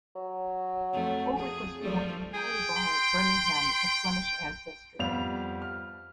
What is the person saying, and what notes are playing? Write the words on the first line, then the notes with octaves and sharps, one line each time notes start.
Ulric was born in Perry Barr, Birmingham, of Flemish ancestry.
F#3
F2 A3
F2 G#4
F3 G3 A3
G#4 G5
C6
F2 G3 B3 F5 F7
F6